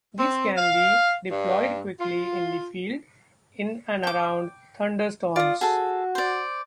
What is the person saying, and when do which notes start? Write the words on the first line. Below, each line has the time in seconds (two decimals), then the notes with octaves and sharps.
These can be deployed quickly in the field, in and around thunderstorms.
0.18 C4
0.58 F5
1.31 G2
1.99 F4
4.03 G5 D6
5.36 F4 D5 D#6
5.61 F#4 G#4 A4
6.15 C5 D5